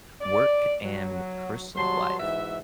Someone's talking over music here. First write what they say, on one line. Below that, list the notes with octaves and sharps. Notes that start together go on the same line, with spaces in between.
work and personal life.
D5
F#3
F#3 G3 A5 C6
G#2 E3 F#4 E5